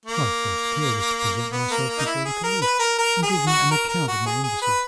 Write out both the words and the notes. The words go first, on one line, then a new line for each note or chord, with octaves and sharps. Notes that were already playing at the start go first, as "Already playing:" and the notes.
My first care was to present myself before the Caliph, and give him an account of my embassy.
A#3
B3
A#3
A#3
D#4
E4
G#4
A#4
B4
A#4
A#4
G#4
F#4
A#4
A#4
F#4
G#4
G#4
B4